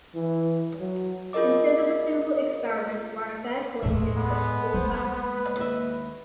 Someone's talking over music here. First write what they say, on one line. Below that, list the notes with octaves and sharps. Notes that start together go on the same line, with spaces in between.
Consider the simple experiment where a fair coin is tossed four times.
E3
F#3
F4 G#4 A#4 D#5 D6
D#2 A2 G#3 A3 A4 E5
B3
G#3 A#3 C5
B4
D#2 D#5 E5